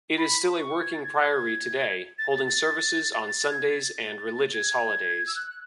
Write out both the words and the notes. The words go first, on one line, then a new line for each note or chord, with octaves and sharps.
It is still a working priory today, holding services on Sundays and religious holidays.
B5
C#6
G#6
A6
G#6
G#6
A6
A6
A6
A6
G#6
A6
G#6
E6
F#6
F#6